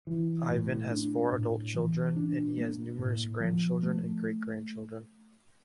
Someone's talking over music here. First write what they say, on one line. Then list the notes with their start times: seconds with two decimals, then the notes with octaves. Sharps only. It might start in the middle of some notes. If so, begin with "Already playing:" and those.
Ivan has four adult children and he has numerous grandchildren and great grandchildren.
0.07 E3
0.49 A2
0.91 D4
1.32 A2
1.75 E3
2.16 D4
2.57 A#3
2.99 A2
3.40 F3
3.83 A3